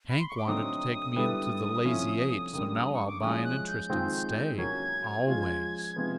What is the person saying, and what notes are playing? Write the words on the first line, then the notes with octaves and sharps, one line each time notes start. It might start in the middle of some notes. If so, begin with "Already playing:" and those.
"Hank wanted to take me into the Lazy Eight, so now I'll buy an interest, and stay--always."
B5
C6
C#6
D6
D3 F#3 A3 C4 D#4 D#6
D3 G3 B3 E4 A4
C3 F3 A3 C#4 E4
F#2 D3 G3 A#3
C#6
D6
F3 G#3 C#4 E4 D#6
F#6
G6
D#3 G#3 C4 F4 G#4
F#3 A#3 C#4 F#4 G#6
F3 G#3 C#4 F4
C3 F3 G#3 B3